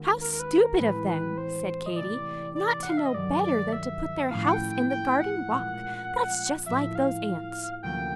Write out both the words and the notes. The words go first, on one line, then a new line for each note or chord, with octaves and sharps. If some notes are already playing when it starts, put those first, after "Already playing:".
"How stupid of them," said Katy, "not to know better than to put their house in the garden-walk; that's just like those Ants."
Already playing: D#2 D#3 G#3 C#4 F#4
A#4
A#4
B4
A#4
A2 E3 G#3 C4 B4
B4
C5
D#5
C3 E3 A3 D5
D5
F#5
F5
E5
D#5
G2 D#3 F#3 D5
D5
E5
A2 F3 A3 C#4 E4 F5
F#5
G5
G5
G5
F#5
A#2 F3 G#3 C#4
A2 F3 A#3 E5
F5
D2 C3 F3 A#3 C#4 G5